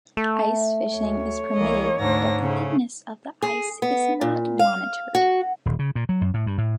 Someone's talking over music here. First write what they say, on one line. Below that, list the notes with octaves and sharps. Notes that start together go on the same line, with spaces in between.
Ice fishing is permitted, but the thickness of the ice is not monitored.
A3
D2 C#5
C2 E3 A#3 D#5
D2 G#2 D4 A#6
C#3 A3
G#4
B3
A#2
F5
F#4
D#1
C#3
A#2
F#3
F#2
A2
G2
A2